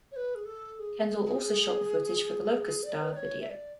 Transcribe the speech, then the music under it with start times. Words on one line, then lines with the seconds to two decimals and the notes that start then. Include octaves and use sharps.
Kendall also shot the footage for the "Locust Star" video.
0.12 C#5
0.16 B4
0.35 G#4
0.45 A4
0.79 G#4
2.83 D5
2.93 C#5
3.02 B4
3.13 D5
3.17 C#5
3.41 E5
3.49 D5